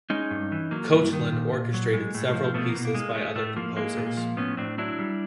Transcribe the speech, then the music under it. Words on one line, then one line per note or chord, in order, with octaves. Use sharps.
Koechlin orchestrated several pieces by other composers.
G#3 C#4 D#4
G2
E3
F#3 A#3
G2
D#3
A#2
A#2
F#3
G#3
A2
F3
C4
B2 A3 B3
A#3
B2
A#3
G#3
A#3
G#3 A3
A2 A3
F3 A#3
G#3 A#3
A#2
A#3
F3
A2 B3 C#4
A2 C4 D4
F#3 D4 E4
G3